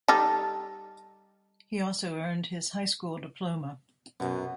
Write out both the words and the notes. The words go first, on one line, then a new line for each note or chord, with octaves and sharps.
He also earned his high school diploma.
G3 D#4 A4
F#2 B2